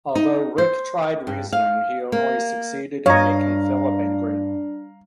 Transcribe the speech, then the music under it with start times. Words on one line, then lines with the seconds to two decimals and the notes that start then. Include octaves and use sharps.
Although Rick tried reasoning, he only succeeded in making Phillip angry.
0.15 D#4
0.58 C5
1.27 G2
1.53 F5
2.12 A#3
3.06 G2 D4 C#5 D#5 F5 A#5